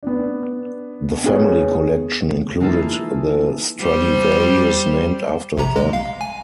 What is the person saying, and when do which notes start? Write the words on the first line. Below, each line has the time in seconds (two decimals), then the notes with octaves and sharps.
The family collection included the Stradivarius named after them.
0.03 B3 D4
1.24 B3 G#4 C#5
2.60 E3 G#3 A#3 D#4 F4 A4
3.80 G3 C5
5.57 A#1 C3 A#5
5.76 G#3
5.93 F5
6.21 G#5